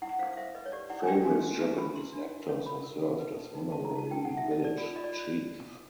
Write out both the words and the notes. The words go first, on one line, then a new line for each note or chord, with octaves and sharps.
Famous Japanese actors have served as honorary village chief.
E4 F#5
C5 F5
F5
C5 E5
B4 D#5
C#5
G4 D5
E4 F#5
G#5
F#4 G5
F#4 G#5
F#4
E4
B4 B5
E4 C6
D4
F#4
C#5
C#5 B5
A#4
F#4
B4
D#4
D#4
F#4 A5
D#4 A#5
A5
D#4 G5
D#4 F#5
D#4 E5
D#5
D#4 D5
F4 D5
F4 D#5
D5
F4